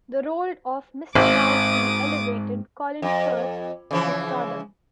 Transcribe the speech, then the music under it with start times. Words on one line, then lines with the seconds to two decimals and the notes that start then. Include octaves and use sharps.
The role of Mr Darcy elevated Colin Firth to stardom.
1.15 G#1 G#2 C4 D6 D#6
3.02 F2
3.91 C#3 E3 F3